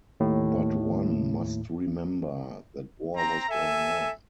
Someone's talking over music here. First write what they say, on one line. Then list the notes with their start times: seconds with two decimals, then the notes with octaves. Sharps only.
But one must remember that war was going on.
0.20 D#2 A2
3.16 C4 A#5
3.49 A4 E5 G#5